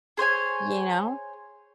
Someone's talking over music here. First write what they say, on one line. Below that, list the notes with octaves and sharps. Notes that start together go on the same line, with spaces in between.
You know?
G#4 C5 C#5 G#5